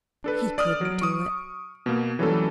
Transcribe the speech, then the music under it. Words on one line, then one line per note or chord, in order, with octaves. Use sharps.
He couldn't do it.
D4 A4 B4
D5 D#6 F6
F#3 D7
C#6 D#6
B2 A#3
E3 F#3 G3 A3 C#4 A4